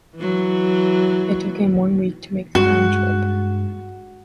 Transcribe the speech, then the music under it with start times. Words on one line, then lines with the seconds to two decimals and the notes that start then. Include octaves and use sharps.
It took him one week to make the round trip.
0.16 E3 F#3
2.55 G2 G#3 F#4